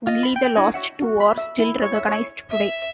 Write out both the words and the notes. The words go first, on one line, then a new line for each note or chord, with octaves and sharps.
Only the last two are still recognized today.
F4 D#5
B5
G5
D4 E4 C#5 D#5
F#4 C#5 E5 F#5
F#4
B5
E5
E4
C#5
E5
C#5
E5